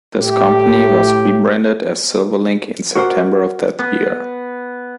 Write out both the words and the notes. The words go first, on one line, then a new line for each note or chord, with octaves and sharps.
This company was re-branded as Silverlink in September of that year.
A2 G4
F#4 A#4 C5 D5 F#5
B3